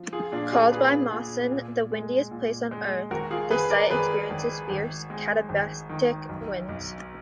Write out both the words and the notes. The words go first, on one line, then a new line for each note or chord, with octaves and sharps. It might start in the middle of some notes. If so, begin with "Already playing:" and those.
Called by Mawson "the windiest place on Earth", the site experiences fierce katabatic winds.
Already playing: F3
F4 G#4
A#2 D4 F4
F4 G#4
A#2 G#4 B4
A#2
A#2
G#3
A#2
G#3
G#1 F#4 A#4
F4 G#4
G#1 G#4 B4
A#4 D5
G#1 G#4 B4
G#1
G#1
G#3
G#1
D#3
B1
B1